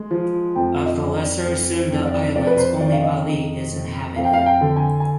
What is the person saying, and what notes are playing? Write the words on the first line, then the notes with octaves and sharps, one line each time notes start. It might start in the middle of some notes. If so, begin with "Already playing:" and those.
Of the Lesser Sunda Islands only Bali is inhabited.
Already playing: G#3
F3
F2 G5
D#5
F2
D5
F2 C5
C5
F2
D5
F2 D5
B4
C5
D#3 D5
F5
D#5
F2
F2
F2 F5
G5
F5
G5
D3
G#5
G#5